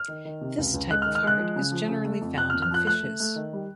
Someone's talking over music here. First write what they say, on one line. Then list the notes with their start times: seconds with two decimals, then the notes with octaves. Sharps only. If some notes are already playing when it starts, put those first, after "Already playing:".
This type of heart is generally found in fishes.
Already playing: F6
0.08 D#3
0.25 D#3
0.41 C3
0.58 C#2
0.74 C#2
0.90 G#3 F#6
1.02 F6
1.06 D#3
1.15 F6
1.23 G#3 F#6
1.39 F3
1.56 C#3
1.72 F3
1.88 C#3
2.05 A3
2.21 F2
2.37 F2 F#6
2.50 F6
2.54 F2
2.62 F6
2.71 F3 F#6
2.86 A3 F#6
3.03 A3
3.20 A3
3.36 D#3
3.53 G3